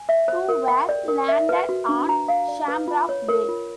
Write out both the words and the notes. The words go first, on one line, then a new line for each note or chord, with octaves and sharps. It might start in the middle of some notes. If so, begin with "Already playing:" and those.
Two were landed on "Shamrock Bay".
Already playing: G#5
E5
C5
A#4
G5
D5
A#4
E5
B4
F#4
D4
A#5
F5
D5
B4
F4
C#5
A#4
F4